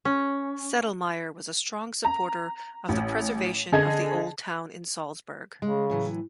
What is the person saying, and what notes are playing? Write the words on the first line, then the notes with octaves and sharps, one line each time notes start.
Sedlmayr was a strong supporter of the preservation of the old town in Salzburg.
C#4
A#5
A1
D3 G#4 D#5 G#6
C#3 G#3
A2 E3 F#3